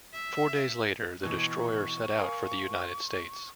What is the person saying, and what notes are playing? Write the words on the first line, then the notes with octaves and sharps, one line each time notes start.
Four days later, the destroyer set out for the United States.
E5
B2 E3 C#6
A#4 F5 G#5